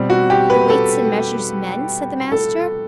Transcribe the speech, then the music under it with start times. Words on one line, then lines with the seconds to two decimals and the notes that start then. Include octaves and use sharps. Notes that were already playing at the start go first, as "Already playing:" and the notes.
The weights and measures men! said the Master.
Already playing: B2 G3 C4
0.10 F#4
0.30 G4
0.50 B4
0.70 A4
2.32 A4